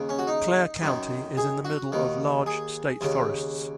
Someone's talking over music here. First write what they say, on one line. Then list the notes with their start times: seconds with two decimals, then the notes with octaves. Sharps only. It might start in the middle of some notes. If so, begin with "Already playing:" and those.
Clare County is in the middle of large state forests.
Already playing: D#2 C#3
0.09 C#4
0.19 F#4
0.27 D#4
0.82 F#2 D#3
1.37 G#4
1.65 F#4
1.92 D#2 D#3
2.46 G#4
3.01 D#2 C#3